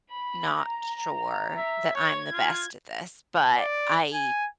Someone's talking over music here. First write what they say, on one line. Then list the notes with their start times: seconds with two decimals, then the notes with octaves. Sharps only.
not sure that I'm the best at this, but I
0.11 B5
0.59 A#5
1.57 E5
1.95 C#5 G#6
2.33 F4
3.58 D5
4.14 G#5